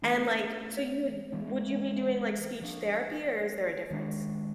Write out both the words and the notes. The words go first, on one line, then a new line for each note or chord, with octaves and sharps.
and, like, so you would would you be doing, like, speech therapy, or is there a difference?
E3 A3 D4
E3 G#3 B3 D4
F3 A#3 D4
D#3 G#3 B3 D4